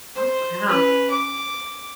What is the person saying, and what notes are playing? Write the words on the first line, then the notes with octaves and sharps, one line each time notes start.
Oh, wow.
C5
C#4 B4
D6